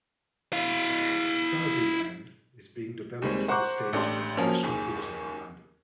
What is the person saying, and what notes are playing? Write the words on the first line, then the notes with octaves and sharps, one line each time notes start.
"Stasiland" is being developed for the stage by The National Theatre in London.
E4 F5
D#2 G3 G#3 C4
C5 F#5 A#5 C#6 D6 F#6
A1 A3 D4 G4 D5 C6
F3 F#3 A#3 C#4
F#1 D#2 G#4